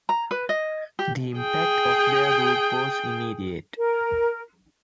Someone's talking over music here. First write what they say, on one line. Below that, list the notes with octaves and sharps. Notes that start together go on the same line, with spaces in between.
The impact of their group was immediate.
A#5
B4
D#5
G4
G#4 G5
A#4